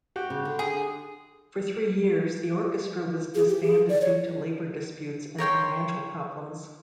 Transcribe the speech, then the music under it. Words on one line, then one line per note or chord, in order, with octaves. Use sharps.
For three years, the orchestra was disbanded due to labor disputes and financial problems.
F#4 G4
C#3
D3
G#4
G#4
G4
G#4
D5
C#5
A#4 C#5 G5 C6